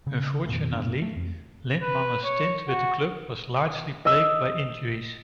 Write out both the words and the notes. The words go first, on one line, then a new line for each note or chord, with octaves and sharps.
Unfortunately, Litmanen's stint with the club was largely plagued by injuries.
C#3
F2 A#2 D#3 E3
F#2 B2 B3 D4
A3
F2
B4
C#5
F#4
D#5 E6